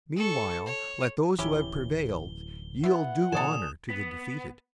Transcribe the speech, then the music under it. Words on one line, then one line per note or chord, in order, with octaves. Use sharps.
Meanwhile let those who have prevailed yield due honor to the defeated.
A4 C#6
C#5
D1 E3 C#4 E4 G4 G7
B3 E4 F#5
A#2 D#3 F3 A4 D5 G#5 D#6 E7
B3